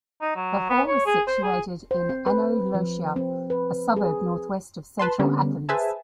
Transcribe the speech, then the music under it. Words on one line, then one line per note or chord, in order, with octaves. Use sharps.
The hall is situated in Ano Liosia, a suburb northwest of central Athens.
D#4
F#3
B3
C#5
G#4
C5
G#4
C5
C4
B4
F3
C4
B4
G#4
B4 A5 C6
D3 G3 A#3 B3 C#4
G#4 B4 C5 E5 G#5 A5